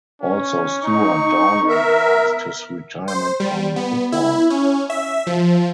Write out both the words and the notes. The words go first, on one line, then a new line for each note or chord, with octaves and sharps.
Also Stewart Downing announced his retirement from football.
C#4
D#4 C#6
B3 A#4 E5
C5
G3
B3
E4
C#4
E5
F3